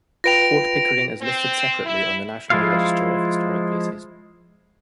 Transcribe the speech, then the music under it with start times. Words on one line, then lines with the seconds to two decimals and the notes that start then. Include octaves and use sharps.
Fort Pickering is listed separately on the National Register of Historic Places.
0.24 F4 B4 G5 A#6 D7 F7
1.21 C4
1.85 E4
2.50 F3 G#3 E4 F4 F5